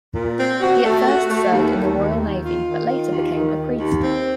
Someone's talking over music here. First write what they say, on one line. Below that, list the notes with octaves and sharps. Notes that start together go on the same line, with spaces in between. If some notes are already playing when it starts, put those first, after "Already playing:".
He at first served in the Royal Navy but later became a priest.
A#2
C4
F#4
A3
F#4
A3
D#2
D#2
D#2
D#3
F4
D#3
F4
D#2
D#3
D#2
D#2
C4